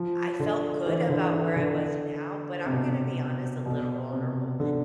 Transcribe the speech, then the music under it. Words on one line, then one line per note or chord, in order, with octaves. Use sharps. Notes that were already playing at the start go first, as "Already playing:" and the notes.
I felt good about where I was now, but I'm gonna be honest, a little vulnerable,
Already playing: F3
D3
E3
D3
E3
D3
C3
B2
B2
C3
D3